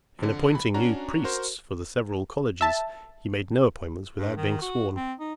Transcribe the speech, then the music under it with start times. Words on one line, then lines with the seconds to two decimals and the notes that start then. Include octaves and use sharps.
In appointing new priests for the several colleges, he made no appointments without being sworn.
0.19 F2 D3
0.55 B5
0.74 C#4 D4 F#4 A#5
1.24 F#4 A#4 C5
2.61 E5 A5
4.17 G2
4.37 D#3
4.62 F#4
4.96 C4
5.19 D#4